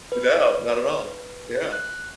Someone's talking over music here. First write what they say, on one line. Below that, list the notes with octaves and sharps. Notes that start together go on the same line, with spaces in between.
No. Not at all. Yeah.
B4
F#6